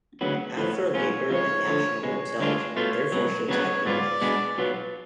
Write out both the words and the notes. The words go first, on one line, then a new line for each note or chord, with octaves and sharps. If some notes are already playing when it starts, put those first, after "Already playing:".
As for Labour and National themselves, their fortunes have been mixed.
D2 C#3 F#3 B3 F#4
A2 F3 B3 C#5
B2 F#3 C#4 F4 C#5
C#3 F3 G#3 C#5
D3 F3 A3
C#2 B2 G#3 C#5
D2 D3 G#3 D4 F4
B2 A3 F4 C#5
C#2 B2 F#3
C#3 F#3 B3 D4 F#4 C#5
G#2 F#3 B3 F4 D5
B2 G#3 B3 D4
B2 F#3 B3 F4